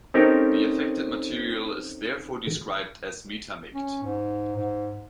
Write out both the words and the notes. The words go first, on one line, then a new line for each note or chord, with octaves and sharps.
The affected material is therefore described as metamict.
C4 C#4 D#4 G4 A4 A#4
C#4
G#2
G#2